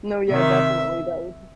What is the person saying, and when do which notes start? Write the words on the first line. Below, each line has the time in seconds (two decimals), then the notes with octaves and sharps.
No, yeah, definitely. That would
0.29 C3 D#3 E5